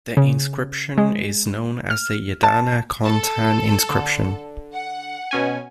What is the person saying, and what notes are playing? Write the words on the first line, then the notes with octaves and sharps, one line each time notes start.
The inscription is known as the 'Yadana Kon Htan Inscription'.
C#3
G#3
F6
A5
A4 A5
D3
F#5
B2 C#4 G#5